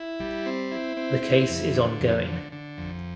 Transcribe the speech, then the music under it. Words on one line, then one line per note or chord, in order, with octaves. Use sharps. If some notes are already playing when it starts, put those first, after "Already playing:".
The case is ongoing.
Already playing: E4
G3
C4
E4
C4
E4
F2
D3
F2
D3
D3
F2